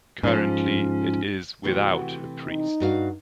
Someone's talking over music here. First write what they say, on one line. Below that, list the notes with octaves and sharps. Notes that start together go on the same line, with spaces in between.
Currently it is without a priest.
G#2 F3 C#4
C3 E3 A3 F#4
D#4
G2 F#4 F5